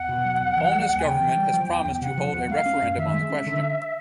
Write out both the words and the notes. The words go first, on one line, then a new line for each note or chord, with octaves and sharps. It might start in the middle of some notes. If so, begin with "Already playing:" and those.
Holness's government has promised to hold a referendum on the question.
Already playing: E2 F#5
B2
F#3
E2
E3
G3
D#2
G#5
C#3 G5
E3
G3
F3
E2
E2
G5
C3 F#5
F3
E2
G#3 F5
C#4
F#2
D#3 E5
G#3
C#4
D3